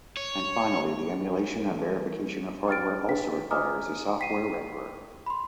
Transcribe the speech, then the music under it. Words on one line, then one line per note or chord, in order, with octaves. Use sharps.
And finally the emulation and verification of hardware also requires a software renderer.
C#5
E3 G3 C#4 A4 B4
G5 F6 A6 D7
D4 B4 G5 B6
D#5 G#5 A#5 D6 D#6 F6
G5 B6 C7 D#7
B5 C6